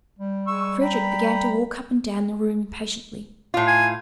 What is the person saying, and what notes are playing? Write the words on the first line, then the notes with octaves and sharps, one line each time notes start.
Frederick began to walk up and down the room impatiently.
G3
G#3 C#6 E6
G5 A#5 B5
A2 F4
G#5